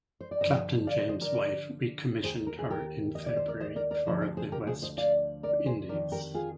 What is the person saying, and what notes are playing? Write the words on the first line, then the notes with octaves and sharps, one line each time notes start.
Captain James White recommissioned her in February for the West Indies.
C5
D5
G2 D3 F3 C5 D#5
D5 F5
C5 D#5
C5 D#5
A#4 D5
D#2 D#3 G#4 C5
A#4
G#4
G4 A#4
D#5
D5
C5
A#4 D5
C5 D#5
A#4 D5
A#4 D5
D2 D3 F3 C5 D#5
C5 D#5
G#4 C5
G4 A#4
G#4 C5
C5 D#5
D5 F5
A#4 D5
G#4 C5
F2 D#3 A#4 D5
G4 A#4
F4 G#4